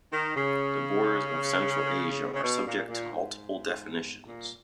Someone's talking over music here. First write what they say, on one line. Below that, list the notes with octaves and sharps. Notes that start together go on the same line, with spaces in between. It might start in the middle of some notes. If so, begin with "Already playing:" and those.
The borders of Central Asia are subject to multiple definitions.
D#3
C#3
C#3
B2
A#2
A#2
G#2
A#2